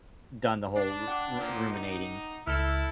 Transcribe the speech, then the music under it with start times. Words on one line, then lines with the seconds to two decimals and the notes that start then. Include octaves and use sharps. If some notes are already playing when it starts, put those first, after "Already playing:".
done the whole ru ru ruminating.
0.76 D4
1.08 F#5 G5 D6
1.39 A#2 F3
1.71 D#4
2.47 C#2 E4 A4 F6